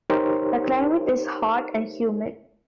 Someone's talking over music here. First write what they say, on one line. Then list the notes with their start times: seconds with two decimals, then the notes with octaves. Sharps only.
The climate is hot and humid.
0.10 D#4 G4 A#4 C5 C#5